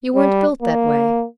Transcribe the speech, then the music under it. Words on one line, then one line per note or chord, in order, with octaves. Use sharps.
You weren't built that way.'
G3
A#3